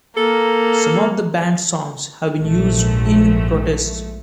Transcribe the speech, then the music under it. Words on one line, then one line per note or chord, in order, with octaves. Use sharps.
Some of the band's songs have been used in protests.
A#3 A4
A#1 G#2 F3 A3